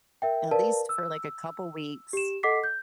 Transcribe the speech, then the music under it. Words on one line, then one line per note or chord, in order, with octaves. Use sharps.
at least for like a couple weeks,
A#4 E5 G5
A#4 B4 D5 F5 A5
E6
G4 E7
A4 D#5 F#5 D6 B6 C7
G6